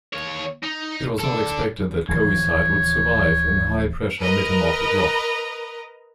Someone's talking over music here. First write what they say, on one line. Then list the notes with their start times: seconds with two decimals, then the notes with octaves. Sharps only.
It was not expected that coesite would survive in high pressure metamorphic rocks.
0.13 D#2 C#5
0.63 D#4
1.19 A4 D5
2.08 D1 E3 F3 C#5
4.20 A#4 B4 D#5 A#5